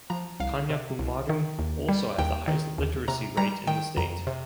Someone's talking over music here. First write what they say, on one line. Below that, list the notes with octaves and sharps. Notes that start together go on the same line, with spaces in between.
Kanyakumari also has the highest literacy rate in the state.
F3 A#5
C2 F5
C3
C2
D#3
D#2
G3
D#2 G5
D#3
D#2
C3 A#5
G3 A#5
D#3 G5
F2 A#5
C3